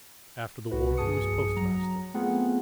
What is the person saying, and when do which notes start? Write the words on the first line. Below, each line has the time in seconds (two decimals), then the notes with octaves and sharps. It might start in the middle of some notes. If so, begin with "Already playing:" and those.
After the War he was postmaster.
0.71 C2 F#4 B4
0.97 A#1 G2 G#4 A5 D#6 C#7
1.56 F#3 A#5
2.14 A3 B3 C4 F4 G#4 F#5